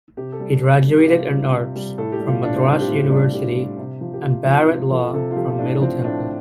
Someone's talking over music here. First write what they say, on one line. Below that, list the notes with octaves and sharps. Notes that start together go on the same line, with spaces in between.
He graduated in Arts from Madras University and Bar-at-law from Middle Temple.
C3 G4
A4
G3
C3
G3
G4
C3 F4
G3
C3
G3
A2 A4
G4
G3
F4
A2 D4
C4
G3 D4
G4
A2 F4
G3 D4
A2 G4
G3
C3
F3
G4
C3 F4
F3 C4
C3 F4
F3 A4
C3 A4
F4
F3 G4
F4
A2 D4
F3 C4
A2 D4